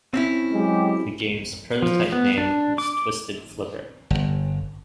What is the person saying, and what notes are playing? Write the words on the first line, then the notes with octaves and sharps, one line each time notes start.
The game's prototype name was "Twisted Flipper".
C4 C#4 E4
F#3 G#3 G4
F3
B3
D4
D6
G1